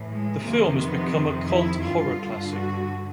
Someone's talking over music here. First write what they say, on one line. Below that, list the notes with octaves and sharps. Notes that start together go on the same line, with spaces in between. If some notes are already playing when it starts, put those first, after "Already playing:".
The film has become a cult horror classic.
Already playing: A2 E3
G#3
F2 C3 D#3 A#3
B3
C4
E4
G2 D3 F4
F#4